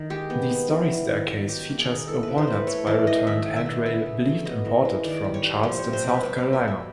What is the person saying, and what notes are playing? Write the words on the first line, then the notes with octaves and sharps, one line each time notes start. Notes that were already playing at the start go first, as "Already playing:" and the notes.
The -story staircase features a walnut, spiral-turned handrail believed imported from Charleston, South Carolina.
Already playing: D#3
G#3 G4
B3
B3
E3
G3
D#3
D#3
F#3 G4
A#3
G#4
D#3
E3 A4
C3 B4
C5
E3
B4
A3 C#5
E3 D5
A3 D#5
D#3 E5
D#3
E5
B3
C#3 E5
A3
F#3
B3 D#5
E3
G#3
D#3 D5
G3
C#5
G3
F3 C5
C3 C#5
C5
C3 B4
G3 B4
B2 F5
E5
G3 E5